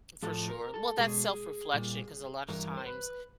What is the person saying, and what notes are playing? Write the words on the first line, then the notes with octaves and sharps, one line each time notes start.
For sure. Well, that's self-reflection 'cause a lotta times
A2 F3 A3 A4
A#4
A4
B2 G#3 G#4
A#2 G3
G2 E3 A#4
C5
B4